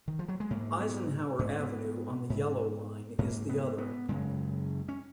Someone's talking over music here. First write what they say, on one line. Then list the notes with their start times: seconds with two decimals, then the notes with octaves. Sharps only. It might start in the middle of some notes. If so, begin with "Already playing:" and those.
Eisenhower Avenue on the Yellow Line is the other.
0.08 D#3
0.19 F3
0.28 F#3
0.40 G#3
0.50 G#2 A#3
0.80 B3
1.39 G#2 B3
1.49 C#4
1.59 B3
2.30 G#2
3.18 G#2 A#3
3.49 B3
3.78 B3
4.08 F#2 C#3 G#3
4.88 C#4